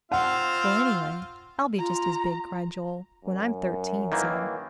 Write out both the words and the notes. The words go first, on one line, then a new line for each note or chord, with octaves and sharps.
"Well, anyway, I'll be just as big," cried Joel, "when I'm thirteen, so!"
C4 F4 F5 F#5
F4 A#5
F#2
D#3 E3 A#3